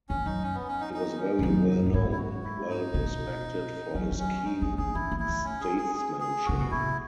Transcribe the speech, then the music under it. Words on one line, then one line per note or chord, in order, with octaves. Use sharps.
He was very well known and well respected for his keen statesmanship.
E2 C#4
F#2 D#4
C#4
B3
C#4
D#4
D#4
C#4
G#2
F#2 D#4
D#4
A2
G#2 E4
E4
F#4
E4
D#4
B2
F#3 C#4
F#3
C#4
D#4
C#4 G#4
B3 G#4
B3 E4
B3
E4
A3
C#4
G#4
G#4
G#4
G#4
C#3 F#4
B2
A2 E4